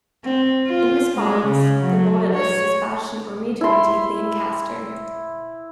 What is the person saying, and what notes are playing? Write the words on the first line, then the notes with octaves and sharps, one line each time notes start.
In response, the Royalists dispatched an army to retake Lancaster.
C4
F4
G#3
C#3
F#3
C#5
E4 C6